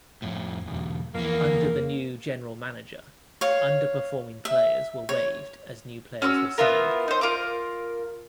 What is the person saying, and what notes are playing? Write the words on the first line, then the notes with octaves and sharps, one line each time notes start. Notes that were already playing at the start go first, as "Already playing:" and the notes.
Under the new general manager, underperforming players were waived as new players were signed.
F2 A2
B1 E2
F2 E3 A#3
C#5 F5
E5
C#5
C#4 F#4 C#6 E6
B3 E4 F4 A#4
D#4 C5
F4 A#4 F5 D6